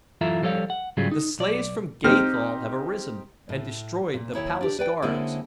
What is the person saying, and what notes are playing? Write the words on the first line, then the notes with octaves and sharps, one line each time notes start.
The slaves from Gathol have arisen and destroyed the palace guards.
F#2 E3 F4 A4 E5 A#5
F3 G3 A4 C#5 F5
F#5
G#2 C#3 F#3 G3 F4 G#4
D#4
B1 D5
C4 D#4 G4 F6
A2
A#2
D#2 E4 C#5 G5
D4 G4
B4 D5 G5
D3 G#3 A#3 C4 C#4 E4